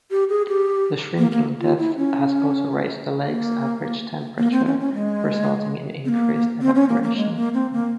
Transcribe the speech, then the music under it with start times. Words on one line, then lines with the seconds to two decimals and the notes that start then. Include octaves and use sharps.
The shrinking depth has also raised the Lake's average temperature, resulting in increased evaporation.
0.11 G4
0.29 G#4
0.48 G4
1.18 A#3
1.31 A#3
1.60 F4
1.78 E4
1.97 C#4
3.27 A#3
4.38 A#3
4.52 C4
4.66 C#4
4.80 C#4
4.94 G#3
6.05 C4
6.09 A#3
6.61 C4
6.75 C#4
6.89 A#3
7.03 A#3
7.17 G#3
7.36 A#3
7.54 C4
7.73 A#3